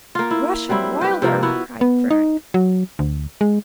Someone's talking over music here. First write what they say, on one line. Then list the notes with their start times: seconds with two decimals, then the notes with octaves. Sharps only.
"Rush & Wilder!" cried Frank.
0.15 A#3 F4
0.31 E4
0.69 F#3 G3 C4 E4
1.01 G4 B4
1.22 C3 F3 A#3
1.43 B3 E4 F#4
1.81 B3
2.11 D#4
2.54 F#3
2.99 D2
3.41 G#3